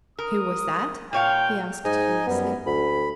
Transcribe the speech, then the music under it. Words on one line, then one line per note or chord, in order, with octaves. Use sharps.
"Who was that?" he asked curiously.
A#4 D#6
A#2 C#5 F5 G5
G#2 D#4 D#5 G#5
F#2 G3 B3
D2 B5